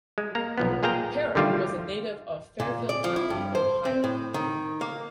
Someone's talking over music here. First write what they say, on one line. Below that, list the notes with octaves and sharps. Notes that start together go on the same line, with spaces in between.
Parrott was a native of Fairfield County, Ohio.
G#3
A#3 A#5
B1 F3 B3
A#2 G#4 F5 G5 A#5
D3 D#3 G3 A3 F4
A#2
D5
F3
E4
G2
C5
C4
A2
D#3
A#3